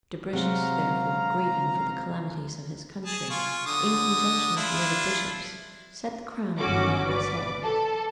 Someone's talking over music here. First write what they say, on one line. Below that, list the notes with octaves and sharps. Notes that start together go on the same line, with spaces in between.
Dubricius, therefore, grieving for the calamities of his country, in conjunction with the other bishops set the crown upon Arthur's head.
C3 F#3 G#3 C4 F5 A#5
G#4 A5
F4 G#5 C#6
D3 D#6
D4 E4 F4
G1 F#3 C#4 F#4 D6
B4 D5 D6
A4 A5